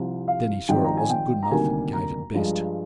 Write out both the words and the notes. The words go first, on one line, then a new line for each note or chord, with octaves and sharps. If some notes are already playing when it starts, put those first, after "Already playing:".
Then he saw it wasn't good enough, and gave it best.
Already playing: C2 C3 F3 C4
F5
G#1 G#2 F3 C4 D#4 G5
A#5
G#5
G5
A#5
D2 C3 D#3 G3 A#3 G#5
A#5
G2 F3 G#3